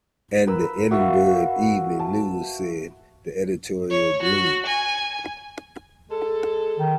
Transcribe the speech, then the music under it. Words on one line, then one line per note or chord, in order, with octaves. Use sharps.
And the Edinburgh Evening News says, with editorial gloom.
A#4 B4 B5 E6
F#4 E5 F5
A5
C#5
F#4
G#5
G#3 A4
D#3